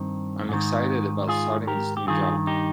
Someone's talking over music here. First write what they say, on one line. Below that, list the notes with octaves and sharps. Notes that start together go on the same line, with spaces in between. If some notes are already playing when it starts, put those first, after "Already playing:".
I'm excited about starting this new job.
Already playing: G2 D#3 C4 D#4
G#2 D#3
F4 G#4
G4 A#4
G4
G2 D#3 F4 G#4
D#4 G4